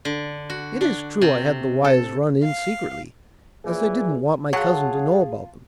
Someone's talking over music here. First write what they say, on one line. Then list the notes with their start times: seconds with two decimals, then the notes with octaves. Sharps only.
It is true I had the wires run in secretly, as I didn't want my cousin to know about them.
0.05 D3
0.50 F#4
0.81 D4
1.21 C3
1.84 A4
2.43 F5
3.65 A#2 C#3 E3 G#4
4.53 F#3 F4 G#4 C#5 F#5 A5